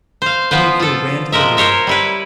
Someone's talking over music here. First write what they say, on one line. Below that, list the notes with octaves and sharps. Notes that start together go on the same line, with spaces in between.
Pinocchio ran to the mirror.
C5 F5
F3 B3 B4 C5
F4 A4
F3 G#3 A#4 E5
A#4 C5 C#5 E5
G3 E4 B4